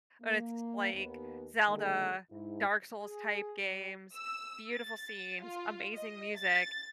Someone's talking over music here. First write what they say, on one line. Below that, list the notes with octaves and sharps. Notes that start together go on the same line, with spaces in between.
Or it's like Zelda, Dark Souls-type games- beautiful scenes, amazing music,
A#3
D#2 B3
D3 D#3 G#3 A#3 G#4 A4
G#2 E4
G#4
G3
E6
A6
F4
D#5
A6